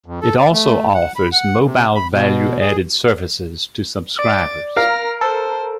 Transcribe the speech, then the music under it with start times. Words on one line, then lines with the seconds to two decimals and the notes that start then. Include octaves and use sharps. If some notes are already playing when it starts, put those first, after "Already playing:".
It also offers Mobile Value Added Services to subscribers.
0.06 F2
0.22 A4
0.39 D5
0.52 A3
0.95 F#5
1.16 B5
1.32 F#5
1.65 C3
1.95 B5
2.13 B2
2.60 G#4
4.19 D5 A6 D7
4.77 A#4 F5 F6 A#6
5.21 A4 C5